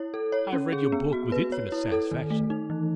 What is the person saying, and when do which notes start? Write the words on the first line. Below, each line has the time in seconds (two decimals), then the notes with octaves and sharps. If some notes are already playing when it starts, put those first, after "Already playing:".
I have read your book with infinite satisfaction.
Already playing: E4 C#5
0.14 A4
0.32 C#5
0.53 C#4
0.73 G#4
0.92 B3
1.13 F#4
1.32 B4
1.52 C#5
1.72 E4
1.92 A4
2.11 D#3
2.30 A3
2.50 D#4
2.70 E3